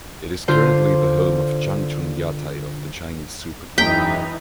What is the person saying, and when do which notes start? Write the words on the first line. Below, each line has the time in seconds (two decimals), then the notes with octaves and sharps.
It is currently the home of Changchun Yatai of the Chinese Super League.
0.48 D3 F4 C5
3.78 E1 F#2 E3 D#4 G5 B6